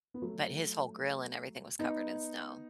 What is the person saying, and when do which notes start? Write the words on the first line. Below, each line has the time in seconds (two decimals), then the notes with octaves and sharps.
But his whole grill and everything was covered in snow.
0.14 B3
0.22 F#3 A3
1.79 B3 D#4